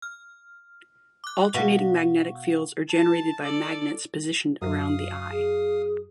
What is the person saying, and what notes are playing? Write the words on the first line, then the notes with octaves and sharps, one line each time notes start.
Alternating magnetic fields are generated by magnets positioned around the eye.
F6
D6 F#6
B2 F5 F#5 C#6
A5
A4 D5
F#2 F5 D#6
G#4